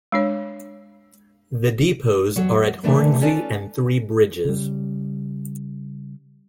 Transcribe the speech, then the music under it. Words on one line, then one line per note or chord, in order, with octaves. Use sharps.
The depots are at Hornsey and Three Bridges.
G#3 D4 C#5
E2 F#3 C#5
A#2 D3 E3 A3 D4 E5
C#4 F4 A4 B4 D5 A5
C#3 G3